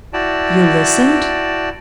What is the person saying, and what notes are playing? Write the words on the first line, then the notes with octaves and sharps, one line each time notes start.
"You listened?"
E4 F#4 D5 G5 A5